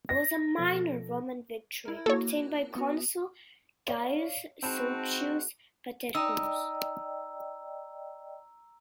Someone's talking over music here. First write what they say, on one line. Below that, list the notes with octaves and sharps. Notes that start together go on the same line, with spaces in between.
It was a minor Roman victory, obtained by consul Gaius Sulpicius Paterculus.
A#6
B2 F3 A4
E4 A#4
A#3 F#4 A4 C#5
B3 F#4
C#5 D5 F5
G#3 C4 D#4 F#4 A5 B5 E7
D#4 D5 D#5 G5 A#5 E6